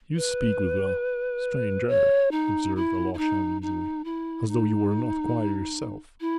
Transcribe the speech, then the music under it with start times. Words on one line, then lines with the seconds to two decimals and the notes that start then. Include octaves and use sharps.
"You speak with a strange air," observed Alyosha uneasily, "as though you were not quite yourself."
0.16 B4
1.88 C#5
2.31 D#4
2.76 E4
3.14 E4
3.18 D#4
3.62 D#4
4.05 E4
4.49 D#4
6.21 E4